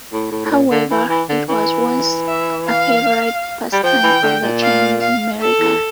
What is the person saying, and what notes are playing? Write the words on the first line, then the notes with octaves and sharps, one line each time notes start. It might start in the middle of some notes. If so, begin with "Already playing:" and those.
However, it was once a favorite pastime of the Chinese in America.
A2
A2
A2
A#2
D3
E3
E3
D3
E3
E5
F5
G3
F3 G5
E3
D3
A#2
F5
F5
A4
E2